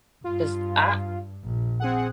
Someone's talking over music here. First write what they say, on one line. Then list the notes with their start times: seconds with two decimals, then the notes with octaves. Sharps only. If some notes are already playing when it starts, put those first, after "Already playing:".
'Cause I
0.24 G2 F4
1.44 A#1
1.80 C4 G#4 F#5